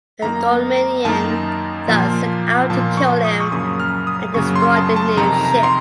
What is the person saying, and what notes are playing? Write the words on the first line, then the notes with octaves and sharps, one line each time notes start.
The Dominion thus set out to kill him and destroy the new ship.
F#2 D#3 A#3 D#4 A#5
F#2 D#3 A#3 D#4 A5
A#2 F3 A#3 F4
A#2 F3 A#3 F4 A5
C#6
D#6
C#6
F#2 C#3 F#3 A#3 D#6
F6
D#6
F#2 C#3 F#3 A#3 C#6
C6
A5
A5
F2 C3 D#3 A#5
A#5
C6